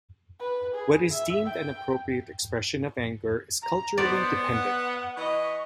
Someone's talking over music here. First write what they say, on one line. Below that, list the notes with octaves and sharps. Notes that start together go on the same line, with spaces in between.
What is deemed an appropriate expression of anger is culturally dependent.
B4
G#4
E5
G5
A#5
B3 C5 D5
F#5
E3 D#5 C#6